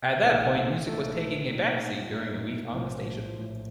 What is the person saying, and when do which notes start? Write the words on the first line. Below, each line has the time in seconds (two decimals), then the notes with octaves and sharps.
At that point music was taking a backseat during the week on the station.
0.22 A#1 A#2 A3 D#4 A4
0.86 A#1 A#2 A3 D#4 A4
1.48 A#2 A3 D#4
2.11 A#2 A3 D#4
2.73 A#1 A2 F3
3.37 A#1 A2 F3